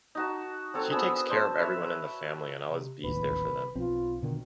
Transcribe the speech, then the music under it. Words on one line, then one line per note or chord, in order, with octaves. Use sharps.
She takes care of everyone in the family and always bees there for them.
D#4 F#4 A5
F#3 C4 A4 C#5
B3 D4 G#4 E6
D4 C5 A5
B4 C#5 E5
C3
D1 A1 D#2 B4
B1 F3 C4 F4
B2 D3 D#3